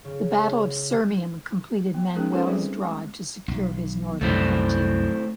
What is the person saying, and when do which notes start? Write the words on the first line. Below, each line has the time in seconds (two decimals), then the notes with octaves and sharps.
The Battle of Sirmium completed Manuel's drive to secure his northern frontier.
0.05 C#3
1.94 B3
2.15 G#3 B3 C#4 D#4 G#4 A#4
2.32 C#4 F4 G4 A4 B4 C5
2.47 G3 C4 G#4 D5 E5
2.84 G#3
3.48 B1
4.21 C2 F#2 E3 A3 C4 E4